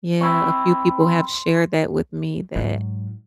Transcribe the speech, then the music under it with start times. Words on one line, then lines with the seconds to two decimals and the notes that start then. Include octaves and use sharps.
Yeah, a few people have shared that with me that
0.21 C4 E4 C#6
1.01 C6
2.55 G#2 F#3